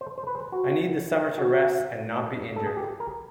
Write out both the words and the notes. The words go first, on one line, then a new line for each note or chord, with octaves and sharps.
I need the summer to rest and not be injured.
C5
C5
B4
C5
F#4
F#4
A4
G#4
G4
A#4